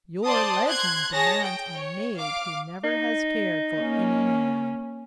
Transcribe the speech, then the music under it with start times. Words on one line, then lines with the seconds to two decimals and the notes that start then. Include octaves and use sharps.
"Your legend demands a maid who never has cared for any man."
0.25 C5 D5 A5 C6 D#6
0.67 C6 F#6 G#6
1.11 G#4 C#5 A5 A#6
1.42 G5
1.76 C#5
2.17 F5 D6
2.84 D#4
3.78 A#3 C#4